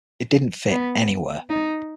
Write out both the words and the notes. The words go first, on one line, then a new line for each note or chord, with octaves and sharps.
I didn't fit anywhere.
B3
D#4